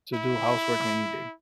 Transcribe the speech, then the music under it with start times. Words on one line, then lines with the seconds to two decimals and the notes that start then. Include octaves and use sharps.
to do housework any day. S
0.14 E4